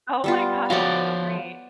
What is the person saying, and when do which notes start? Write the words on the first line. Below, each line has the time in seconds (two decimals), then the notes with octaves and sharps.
Oh my gosh. That's so great.
0.24 G3 B3 F4
0.70 F3 F#4 C#5 D5 F5